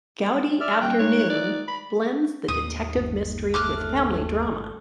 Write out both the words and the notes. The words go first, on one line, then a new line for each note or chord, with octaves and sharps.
"Gaudi Afternoon" blends the detective mystery with family drama.
D5 E5 F6
D#1 G5 F#6
G#2 C#5
D#3 D5
B5
D#2 A2 B3 D4 D#6
G1 G2
A3 D6 F6 F#6